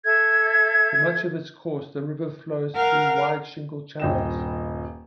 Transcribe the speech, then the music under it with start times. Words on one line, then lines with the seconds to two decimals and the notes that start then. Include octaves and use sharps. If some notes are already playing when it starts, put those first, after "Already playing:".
For much of its course the river flows through wide shingle channels.
0.04 A4 E5 G#6
2.76 A#4 F5 F#5
4.00 D#1 G2 D#5 G5 E7